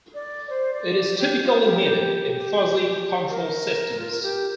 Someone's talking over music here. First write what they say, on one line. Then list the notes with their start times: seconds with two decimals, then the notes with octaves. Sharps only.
It is typically needed in fuzzy control systems.
0.14 D5
0.50 C5
0.73 D5
0.96 D5
1.19 G4
1.43 F4
1.66 G4
1.89 G4
3.30 A#4
4.00 F4
4.11 A#4
4.23 G4